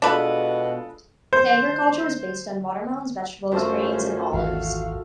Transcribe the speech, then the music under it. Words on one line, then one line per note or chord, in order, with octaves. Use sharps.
The agriculture was based on watermelons, vegetables, grain and olives.
B2 G#3 D4 F4 A4 B4
C5
F#2 A3 C#4 F4 C5
G#1 D#2 E3 F#4 F5